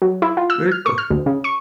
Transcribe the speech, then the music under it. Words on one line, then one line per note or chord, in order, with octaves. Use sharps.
Very cool.
F#3
E4
F4
E6
F6
C#6
F6
D2
C#3
C#6